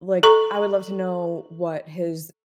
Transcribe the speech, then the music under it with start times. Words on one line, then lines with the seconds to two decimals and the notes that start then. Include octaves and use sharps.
Like, I would love to know what his
0.23 A4 A#5 C#6